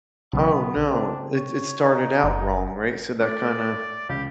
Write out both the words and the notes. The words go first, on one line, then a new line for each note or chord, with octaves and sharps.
Oh, no. It it started out wrong, right, so that kinda
B1 C#3 B3
C4 D4
C#5
D#4
F#1
A3 D5
C#2 G4